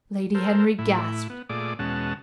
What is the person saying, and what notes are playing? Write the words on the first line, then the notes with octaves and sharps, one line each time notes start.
Lady Henry gasped.
A4 A#4 C5
A2 E4
B3
A#2 A3 G#4 D5 D6
E2 B2 G#3 C#4 F#5 A5